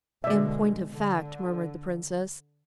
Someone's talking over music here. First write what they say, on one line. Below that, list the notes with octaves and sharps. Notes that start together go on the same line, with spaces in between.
"In point of fact," murmured the princess...
B2 D3 G#3 D5 E5
D3